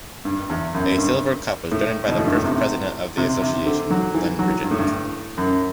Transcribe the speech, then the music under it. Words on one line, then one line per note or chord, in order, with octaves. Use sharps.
A silver cup was donated by the first president of the association, Len Bridgett.
G2
E2
F#2
G2
A2
B2
A2
G2
A2
C3
C3
C3
D3
F#3
E3
F#3
G2
A2
G2
F#2